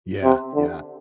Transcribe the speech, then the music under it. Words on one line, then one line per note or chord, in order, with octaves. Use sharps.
Yeah, yeah.
C3
D3